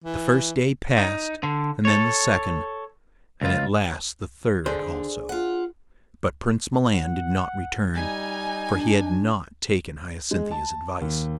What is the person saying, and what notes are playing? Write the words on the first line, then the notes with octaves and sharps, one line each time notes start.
The first day passed, and then the second, and at last the third also, but Prince Milan did not return, for he had not taken Hyacinthia's advice.
E3
D#4
D3
A4 C#5
C#2 F4
D3 D4 G#4 C5
F4 F#5
F#5
G3 D#4 G#5
D4
G#3
A5
D#2